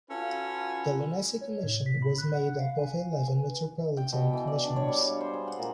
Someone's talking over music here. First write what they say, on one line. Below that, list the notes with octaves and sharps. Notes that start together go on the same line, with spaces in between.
The Lunacy Commission was made up of eleven Metropolitan Commissioners.
C#4 F4 F#4 A4 B4 F5
C#5
A2
B6
B5
F#6
F#5
F5
G#5
G#5
B4
G5
B2
E3
D5
D4
C#5
G3
F5
C5
G#4
F#5
A#2